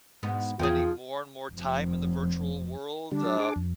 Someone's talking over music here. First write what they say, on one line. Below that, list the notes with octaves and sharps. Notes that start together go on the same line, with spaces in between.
spending more and more time in the virtual world? Uh,
G#2 B2 B3
E2 F3 D#4 F4 G#4 G5
F1 F2
D3 G3 D4
F#3
G#4 D6
F2